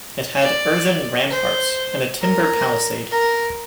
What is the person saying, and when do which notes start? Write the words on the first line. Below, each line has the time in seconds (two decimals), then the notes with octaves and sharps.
It had earthen ramparts and a timber palisade.
0.40 D5
1.30 C5
2.21 A#4
3.11 A#4